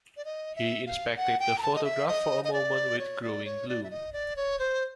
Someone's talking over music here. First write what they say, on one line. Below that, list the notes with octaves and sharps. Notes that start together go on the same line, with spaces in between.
He inspected the photograph for a moment with growing gloom.
D5
D#5
E5
F5
F#5
G5
A#5
A5
D#5
E5
D#5
D#5
D5
C#5
D5
C#5
D5
E5
D#5
D5
C#5
C5